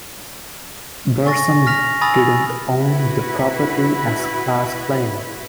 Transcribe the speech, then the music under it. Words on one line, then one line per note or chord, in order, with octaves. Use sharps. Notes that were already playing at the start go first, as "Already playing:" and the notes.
Bursum didn't own the property as Klass claimed.
G#5 C#6 A6 A#6
F6 A#6 B6 F7
G#5 B5 D#6 E6 A6 F7
E4 F#4 B4